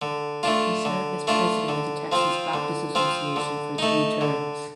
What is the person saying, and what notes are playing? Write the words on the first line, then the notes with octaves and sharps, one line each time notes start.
He served as president of the Texas Baptist Association for three terms.
D3
A3 D4 F4
D3
A3 D4 F4
D3
F3 C4 F4
D3
F3 C4 F4
D3
A3 D#4
D3